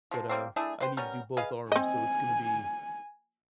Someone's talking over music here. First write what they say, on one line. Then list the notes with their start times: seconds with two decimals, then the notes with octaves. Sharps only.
But, uh, I need to do both arms, so it's gonna be
0.11 C3 F3
0.29 G3 A#3 C4
0.56 A3 D4 E4 G#4
0.80 B4 C5 G5
0.97 G3 B3 C#4 A#4
1.37 G#4 B4 D#5 F5
1.72 C4 D#5 G#5